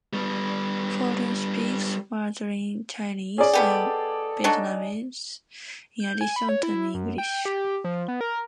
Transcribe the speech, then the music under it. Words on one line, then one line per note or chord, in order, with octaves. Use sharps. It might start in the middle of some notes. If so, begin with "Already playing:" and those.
Forden speaks Mandarin Chinese and Vietnamese in addition to English.
G3 B3
C#4 G#4 D5
B2 B3 G4 A4
F#3 D4 D#4
G6
G#5
B5
C#5
E4
F#2
G5
G4
F3
B3
A#4